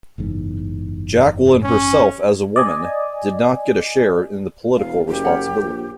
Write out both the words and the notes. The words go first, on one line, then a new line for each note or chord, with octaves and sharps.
Jacqueline herself as a woman, did not get a share in the political responsibility.
F#1 E2 G#2
C#4
D5 D#5 G#5
E1 F5
F#1 G4
A#4 C#5 F#5
A#1